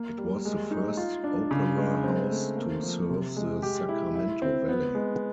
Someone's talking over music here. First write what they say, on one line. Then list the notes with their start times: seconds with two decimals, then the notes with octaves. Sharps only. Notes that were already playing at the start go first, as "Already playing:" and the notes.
It was the first opera house to serve the Sacramento Valley.
Already playing: A#3
0.18 G3
0.45 G#3
0.71 D#4
0.97 F4
1.24 D4
1.51 C#3
1.77 G#3
2.04 C4
2.30 A3
2.57 A#3
2.83 F3
3.09 C3
3.36 G#3
3.63 G4
3.89 E4
4.15 E4
4.42 C4
4.69 B3
4.95 G#3